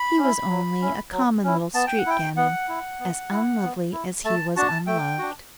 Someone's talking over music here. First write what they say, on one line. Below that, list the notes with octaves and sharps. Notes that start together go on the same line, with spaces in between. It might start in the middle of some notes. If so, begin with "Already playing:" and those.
He was only a common little street gamin, as unlovely as he was unloved.
Already playing: B5
C#4 E4
F#3
C#4 E4
F#3
C#4 E4
B3 A5
G5
F#5
E4 G5
B3 F#5
E4
B3
E4
B3
E4
A3 A5
D4 F#4 A5
A3 G5
D4 F#4